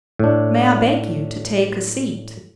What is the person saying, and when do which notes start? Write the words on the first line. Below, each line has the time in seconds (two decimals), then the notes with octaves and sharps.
May I beg you to take a seat?'
0.19 A2 D4